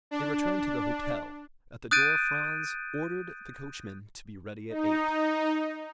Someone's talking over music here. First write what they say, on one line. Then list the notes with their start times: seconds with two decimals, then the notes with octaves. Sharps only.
They returned to the hotel; at the door Franz ordered the coachman to be ready at eight.
0.11 D4
1.91 D#6 F#6 G6 A6 D7 D#7
4.70 D#4